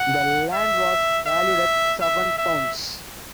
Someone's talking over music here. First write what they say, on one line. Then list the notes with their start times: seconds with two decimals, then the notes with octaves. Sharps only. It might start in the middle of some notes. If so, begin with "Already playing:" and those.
The land was valued at seven pounds.
Already playing: F#5
0.53 E5
1.27 E5
2.01 E5
2.38 E5